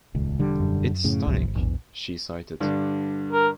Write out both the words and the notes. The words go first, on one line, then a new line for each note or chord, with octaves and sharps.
"It's stunning," she cited.
D#1 C#2
E1 D3 G3
F#2
A2 C#3
G#1 C#2 C3 F3
A#1 E2
G2 D3
A#4